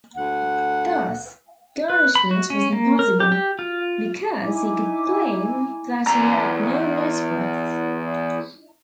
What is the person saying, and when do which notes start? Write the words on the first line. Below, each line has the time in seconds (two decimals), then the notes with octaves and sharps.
Thus, garnishment wasn't possible, because he could claim that he had no net worth.
0.16 D2 F#5
1.90 B4
2.15 B5
2.31 F#4
2.50 C#4
2.73 A#3
2.99 A#4
3.20 G4
3.32 G4
3.59 F4
4.40 D#4 E4 G#5 D6
6.07 E2 A#5